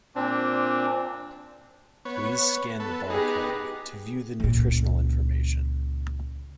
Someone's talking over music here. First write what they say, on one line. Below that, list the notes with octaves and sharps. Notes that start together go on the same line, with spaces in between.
Please scan the bar code to view the nutritional information.
A#2 C4 D4
B3 C#5
B3 A4
B3 D#4 G4 G#4
C#2 A#2